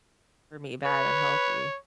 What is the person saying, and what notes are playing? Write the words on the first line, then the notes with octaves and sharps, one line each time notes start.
for me bad, unhealthy.
B4 C#5